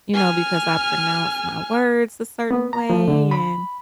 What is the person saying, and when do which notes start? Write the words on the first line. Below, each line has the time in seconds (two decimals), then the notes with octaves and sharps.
you know, because I pronounce my words a certain way and
0.14 G#5 F6
2.51 B3
2.73 A#5
2.90 F3
3.08 D3
3.31 B5